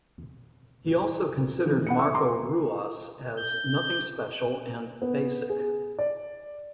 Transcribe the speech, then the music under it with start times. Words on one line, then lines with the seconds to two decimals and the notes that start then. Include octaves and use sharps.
He also considered Marco Ruas as "nothing special" and "basic".
1.66 D#3 E3
1.87 F#5 B5 C#7
1.99 E5 C#6 E6
2.14 A#5 C6 D6
3.37 G6
5.02 B3
5.49 G#4
5.99 D5